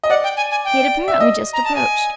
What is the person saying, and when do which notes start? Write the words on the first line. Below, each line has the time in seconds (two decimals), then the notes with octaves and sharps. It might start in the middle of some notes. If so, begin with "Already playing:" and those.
He had apparently just approached.
0.04 D#5
0.09 D5 F#5
0.24 G5
0.37 G#5
0.51 G#5
0.64 G5
1.08 E5
1.20 D#5
1.53 A#5
1.64 A5
1.75 G#5